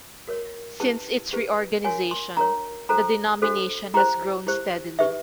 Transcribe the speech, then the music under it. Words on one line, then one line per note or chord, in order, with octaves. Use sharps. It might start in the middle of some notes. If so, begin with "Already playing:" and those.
Since its reorganization, the denomination has grown steadily.
F#4 A#4 C#5
C#4 E4 G4 B4 A5
C#4 E4 G4 B4
D4 F#4 A#4 C#5 G#5
C6
D4 F#4 A#4 C#5 A#5
D4 F#4 A4 C5 A#5
D4 F#4 A4 C5
E4 G4 C5 A#5
E4 G4 C5
D#4 G4 B4 E5